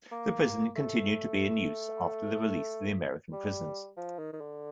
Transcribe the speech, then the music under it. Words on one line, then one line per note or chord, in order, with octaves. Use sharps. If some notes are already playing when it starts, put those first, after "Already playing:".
The prison continued to be in use after the release of the American prisoners.
A#3
A3
G3
F3
D#3
D#3
D3